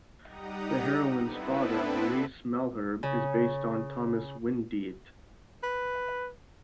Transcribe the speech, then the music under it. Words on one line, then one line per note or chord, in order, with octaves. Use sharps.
The heroine's father, Maurice Malherb, is based on Thomas Windeatt.
G3 D#4 G4 F#5 A#5 D#6
B3 C4 D4 E4 A4 B4
C#3
B4